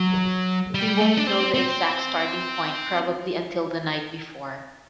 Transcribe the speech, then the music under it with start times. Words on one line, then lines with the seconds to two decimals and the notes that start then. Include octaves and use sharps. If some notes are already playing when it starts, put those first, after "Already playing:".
We won't know the exact starting point probably until the night before.
Already playing: F#3
0.74 G3
1.01 A3
1.17 D4
1.27 C4
1.54 C4